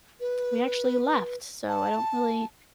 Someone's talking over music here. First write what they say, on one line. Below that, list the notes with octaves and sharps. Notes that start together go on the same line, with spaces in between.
we actually left, so I don't really
B4
A5